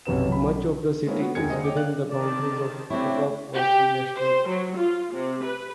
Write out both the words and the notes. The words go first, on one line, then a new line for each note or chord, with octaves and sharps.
Much of the city is within the boundaries of the Oga Quasi-National Park.
B1 F#2 C3 B4 E7
B1 B5
G#3 A#3 B3 C#4 E4
B3 F#4
E1 D#2 D#4 G#4 G#6 C#7
D3 A#3 G#4 C5 D#5
C#5 D#5 G5 D6
D5 F5 F#6
D#3 C4 D5 A5
A3 C4 D4 E4 G4 C#5
G4
C5
F#3
F4
C3
B4